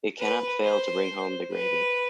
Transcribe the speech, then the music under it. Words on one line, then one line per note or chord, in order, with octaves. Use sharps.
It cannot fail to bring home the gravy.
B4
C5
B4